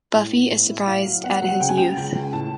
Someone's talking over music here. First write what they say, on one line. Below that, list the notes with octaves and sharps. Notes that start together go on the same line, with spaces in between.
Buffy is surprised at his youth.
A2
B3
A2
E4
A2 F5
F#3
B3 F#5
F#5
F#3
F#5
C#3 G5
G#5
C#2 G5
C#2
C#2
A2 A5